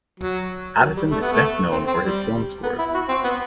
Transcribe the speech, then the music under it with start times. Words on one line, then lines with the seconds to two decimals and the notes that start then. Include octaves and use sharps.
Addison is best known for his film scores.
0.20 F#3
0.81 F#3
0.97 G3
1.11 A3
1.21 B3
1.33 A3
1.71 C4
1.87 C4
2.03 G3
2.63 B3
2.79 E4
2.94 F#4
3.08 C4
3.23 B3